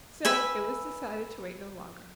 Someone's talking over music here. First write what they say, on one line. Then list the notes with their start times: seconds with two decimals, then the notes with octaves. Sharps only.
So it was decided to wait no longer.
0.25 B4 E5 G#5